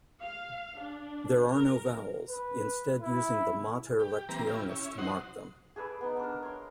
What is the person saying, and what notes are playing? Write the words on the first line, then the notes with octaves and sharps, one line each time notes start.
There are no vowels, instead using the mater lectionis to mark them.
F5
D4
A#4
B4
E4
G4
E3 G3 A#3 C4 B4 A#5
E4 F4 G4
C#4 E4
F#3 D#4 C5 F#5
G#4 A4 B4 D5
B3 D#4
D4 A#4
C#5 C6